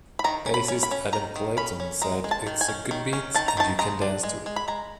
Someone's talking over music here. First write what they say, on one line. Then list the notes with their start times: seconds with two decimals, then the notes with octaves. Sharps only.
Bassist Adam Clayton said It's a good beat and you can dance to it.
0.19 B5
0.24 D#3 A#5
0.46 C#4
0.54 B5
0.68 C#4
0.83 B5
0.91 C#4
1.13 D#3 A#5
1.36 D#3
1.57 C#4 B5
1.80 C#4
2.02 G#3 A#5
2.24 G#3
2.31 A5
2.47 D#3
2.61 G#5
2.68 C#4
2.91 D#3
3.13 C#4
3.34 D#3 A5
3.48 A#5
3.57 D#3 A5
3.79 G#3 A#5
4.02 D4
4.23 G#3
4.46 G#3
4.56 B5
4.68 G#3 A#5